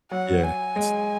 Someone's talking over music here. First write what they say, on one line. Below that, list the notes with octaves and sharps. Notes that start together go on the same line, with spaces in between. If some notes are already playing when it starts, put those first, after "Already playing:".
yeah, it's
F#3 F#5
G#5
G#3